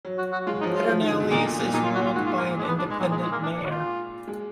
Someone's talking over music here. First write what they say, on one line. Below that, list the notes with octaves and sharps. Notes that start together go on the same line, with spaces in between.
Pedernales is ruled by an independent mayor.
F#3
F#4
F#4
G#3 F4
F3 D#4
F#3
F4
F3
D#3
D3
B2
A#2 D#4
A#2
A#2
A#2 D#4
F4
F#4
A#2 F4
G#2 F#4
F4
A#3
G#3
D4
B3
D4
G#3
A#2 F#3
G#3
G#3
A#3
D4
D4
F#4
F4
G#3